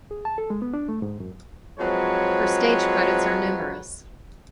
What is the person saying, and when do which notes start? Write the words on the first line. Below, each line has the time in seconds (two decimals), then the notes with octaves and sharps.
Her stage credits are numerous.
0.11 G#4
0.25 A5
0.38 A4
0.50 G#3
0.62 B3
0.74 D4
0.89 A3
1.02 G#2
1.20 F#2
1.79 F3 F#3 G#3 C4 B4 C#5